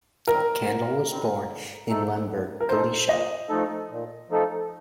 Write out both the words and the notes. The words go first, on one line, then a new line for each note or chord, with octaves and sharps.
Kandel was born in Lemberg, Galicia.
D#3 G3 C4 A#4
C3
D#3 G3 C4
D3
A3 D#4 A4
D3
A#4
A3 D#4 A4 C5
A#2 D#5
F3 A3 D#4 A4
A#2
F3 A3 D#4 A4